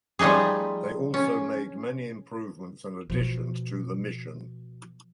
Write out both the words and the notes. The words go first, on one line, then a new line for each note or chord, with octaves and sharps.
They also made many improvements and additions to the Mission.
F3 G3 A3 D#4 G#4
C#4
B2 F3